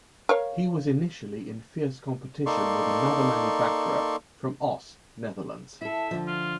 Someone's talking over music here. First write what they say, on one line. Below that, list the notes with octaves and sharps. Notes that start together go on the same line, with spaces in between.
He was initially in fierce competition with another manufacturer from Oss, Netherlands.
A#4 C#5 F5
A#3 D#4 A4 D5 C6 C#6
E4 A4 E5
D3 F3
F4